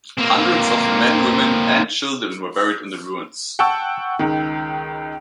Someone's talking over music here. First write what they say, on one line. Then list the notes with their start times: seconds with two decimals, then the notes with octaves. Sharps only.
Hundreds of men, women, and children were buried in the ruins.
0.18 A#3 C4
3.59 F#5 G5 A5 C#6 E6
4.19 C#2 D#3